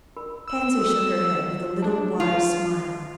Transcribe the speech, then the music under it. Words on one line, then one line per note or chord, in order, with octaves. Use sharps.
Pansy shook her head with a little wise smile.
A#4 B5
E6
F#4 A4 A#4
D4
F4